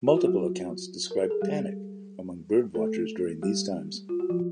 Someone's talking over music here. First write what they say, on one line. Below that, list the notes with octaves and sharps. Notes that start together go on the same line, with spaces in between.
Multiple accounts describe "panic" among birdwatchers during these times.
F#4
F4
F#3 F#4
A#4
A4
G#4
G3 G4
A3 A4
G3 G4
F4
F#4
F3 F4